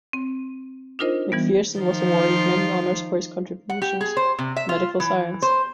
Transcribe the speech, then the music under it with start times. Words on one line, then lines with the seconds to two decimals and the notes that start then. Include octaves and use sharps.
Macpherson was awarded many honours for his contributions to medical science.
0.13 C4
0.99 D4 D#4 F4 A#4 C5 D#5
1.32 E3 G3 B3
1.78 D#3 F3 F4
3.70 F#5
3.82 G4
4.01 G#4
4.17 C5
4.39 C3
4.56 E5
4.69 F4
5.00 E3
5.42 C5